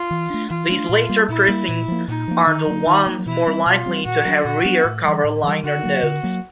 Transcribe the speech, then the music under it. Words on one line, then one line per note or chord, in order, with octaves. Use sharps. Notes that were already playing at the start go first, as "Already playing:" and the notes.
These later pressings are the ones more likely to have rear cover liner notes.
Already playing: F4
E3
A3 D4
E3 F4
A3 D4
A#2
G3 A#3
A#2 E4
G3 A#3
A#2
F3 A#3
A#2 D#4
F3 A#3
D#3
F#3 A#3
D#3
F#3 A#3
B2 E4
G3 C4
B2 F4
G3 C4
A#2 F#4
F#3 B3 D4
A#2 F#4
F#3 B3 D4
A2
E3 G3
A2
E3 G3
D3 F#4
F#3 A#3
D3
F#3 A#3